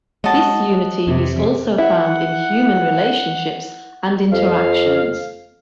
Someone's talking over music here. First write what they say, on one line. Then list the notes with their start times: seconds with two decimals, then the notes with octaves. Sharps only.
This unity is also found in human relationships and interactions.
0.24 F#3 G#3 D#5 F#5 A5
1.07 F2 C3
1.78 E4 F#5
4.32 F2 F5